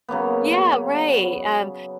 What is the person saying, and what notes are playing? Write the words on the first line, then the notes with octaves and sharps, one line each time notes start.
yeah, right, um,
C#3 F#3 A#3 B3